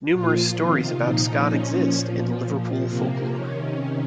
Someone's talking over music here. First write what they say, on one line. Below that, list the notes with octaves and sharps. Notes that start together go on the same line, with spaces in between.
Numerous stories about Scott exist in Liverpool folklore.
A#2 F3 F4
C3 D#3 F4
A#2 F3 D#4
A#2 F3 C#4
A#2 F3
A#2 F3
C3 F3 A#3
C3 D#3 C#4